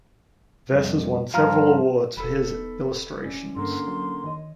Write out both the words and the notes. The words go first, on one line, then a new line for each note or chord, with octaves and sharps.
Vess has won several awards for his illustrations.
C2 F2
G2 F3 F5 A#5 F6
E1 A4 B5
B3 D#4
C#4 E4 D5
G2 D3 A#3 C6
F#3
D#3 C#5 D#5